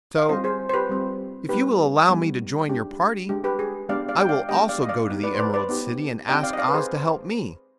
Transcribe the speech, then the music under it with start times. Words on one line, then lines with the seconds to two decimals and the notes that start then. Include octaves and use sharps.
"So, if you will allow me to join your party, I will also go to the Emerald City and ask Oz to help me."
0.17 F5
0.29 G3 C4 F4 C5 D#5
0.44 G#4 C5
0.69 C5
0.74 G4 B4
0.89 G3 C4 F4
1.49 G3 B3 D#4 G4 B4
2.09 G3 B3 D#4
2.69 G#3 D4 G4
3.29 G#3 D4 G4
3.44 G4 B4
3.59 G#4
3.89 G#3 B3 D4 G4 D5 F5
4.08 D5 F5
4.22 G5
4.29 D5 F5
4.49 G#3 B3 D4 G4 D#5 G5
4.69 D5 F5
4.83 D#5
4.89 D5 F5
5.09 B3 D#4 G4
5.23 B4 D5
5.35 C5
5.39 B4 D5
5.54 B4 D5
5.69 B3 D#4 G4
6.29 C4 D#4 G4 D#5 G5
6.43 D5 F5
6.53 D#5
6.58 D5 F5
6.69 B4
6.73 G#4 C5